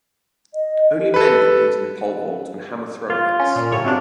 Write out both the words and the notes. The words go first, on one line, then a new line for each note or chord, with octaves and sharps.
Only men compete in the pole vault and hammer throw events.
D#5
G4
A4 B4
F4
C#4
A#2
G1 A2 C#5
C3 F#3 D4